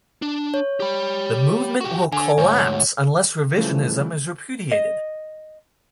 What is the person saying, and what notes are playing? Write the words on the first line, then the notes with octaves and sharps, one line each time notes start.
The movement will collapse unless Revisionism is repudiated.
D4
C#5
G4 B5
F#4 G4
D3 G#5
D2 G#2 C#5
C#3 E3 F3 G3 A3
D#5